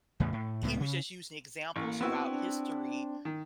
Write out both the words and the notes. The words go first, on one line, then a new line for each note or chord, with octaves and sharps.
he was just using examples throughout history
E2 A2 C#3
A2
C#2 A2 A3 B3
C#3
A1 A#3 C#6
B3 C4 E4 F#4 C#6
D4
D#3